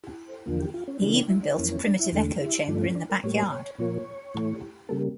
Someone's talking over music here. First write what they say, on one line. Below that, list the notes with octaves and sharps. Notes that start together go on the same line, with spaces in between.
He even built a primitive echo chamber in the back yard.
E2 D3 F3 A#3
G4
F4
C#4
C#3 E3 A#3 D4
D4
E4
D4
F2 E3 A#3 C#4
C#4
D4
E4
E2 D3 A3
E4
G2 F3 A3 D4
C#4
D4
A#4
A2 G3 A#3 C#5
C#5
A#2 F3 A#3 C#5
A2 E3 A3
C#3 G3 A#3 A4